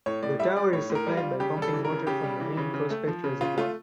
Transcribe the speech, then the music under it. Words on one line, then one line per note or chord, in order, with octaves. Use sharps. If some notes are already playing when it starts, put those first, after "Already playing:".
The tower is supplied by pumping water from the main Prospect Reservoir.
A2 C#5
A2 D5
G3 E5
G3 D5
A2 C#5
A2
A#4
G3
F4
G3
C#3 G4
G3
A4
E3
A#4
C#3
C#3 G4
G3
E3
C#3
C#3
A3
F3
C#3
C#3 F4
A3 F4